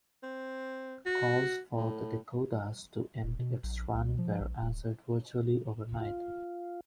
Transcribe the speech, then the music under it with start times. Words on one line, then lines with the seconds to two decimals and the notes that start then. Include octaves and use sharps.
Calls for "The Dakotas" to end its run were answered virtually overnight.
0.23 C4
1.06 F#4
1.77 A2
3.23 E1
3.39 B2
3.63 A#1
3.94 C2
4.18 F3
4.40 A#1
4.62 D1
6.00 F4